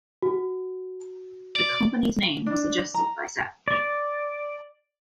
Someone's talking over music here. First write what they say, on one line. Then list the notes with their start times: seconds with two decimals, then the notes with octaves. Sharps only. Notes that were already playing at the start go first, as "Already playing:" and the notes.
The company's name was suggested by Savage.
0.22 F#4
1.56 D5
2.46 D4
2.94 A#5
3.68 D5